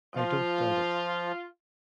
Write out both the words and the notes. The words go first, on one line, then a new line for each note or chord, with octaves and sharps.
I don’t doubt it.
F3 F4